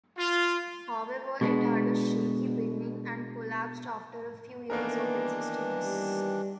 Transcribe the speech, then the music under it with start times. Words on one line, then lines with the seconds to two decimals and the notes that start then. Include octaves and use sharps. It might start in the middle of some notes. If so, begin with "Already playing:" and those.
However, it had a shaky beginning and collapsed after a few years of existence.
0.18 F4
1.41 B2 G#3 B3 D4
4.70 D#3 E3 A#3 B3 D4 A#4
5.85 G3